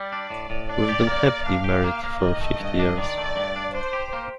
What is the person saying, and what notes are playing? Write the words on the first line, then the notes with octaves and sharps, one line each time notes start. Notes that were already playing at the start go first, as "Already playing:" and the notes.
We've been happily married for fifty years.
Already playing: G3 D5
D4
A2
A2
D4 D5
G4
A#3
A#3
D4 F5
G4
A#3
A#3
D#3 D#5
A3
G2
D4
D#3 D5
A3
G2
D4
D4 C5
G4
A#3